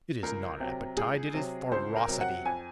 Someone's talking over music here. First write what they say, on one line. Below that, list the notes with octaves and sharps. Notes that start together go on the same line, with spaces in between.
It is not appetite, it is ferocity.
C#2 A#4
C3 F#3
C#2 G#4
C3 F#3
C#2 C5
A#4
C3 F#3
F#5
F2 G#5